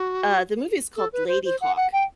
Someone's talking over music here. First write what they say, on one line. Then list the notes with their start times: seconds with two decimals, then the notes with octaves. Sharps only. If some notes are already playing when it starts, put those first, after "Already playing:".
uh, the movie's called Ladyhawke.
Already playing: F#4
0.97 A4
1.13 B4
1.28 C5
1.45 C5
1.61 F#5
1.76 F#5
1.93 G5